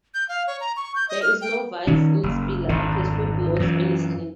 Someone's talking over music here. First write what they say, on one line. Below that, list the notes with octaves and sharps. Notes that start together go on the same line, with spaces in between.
"There is no vice in Spiller," pursued Moss earnestly.
G6
F5
C#5
A#5
C#6
G6
D#5
F6
G5
D#3 C#4
F#1
G#1 F2 D3
F#2 E3 F3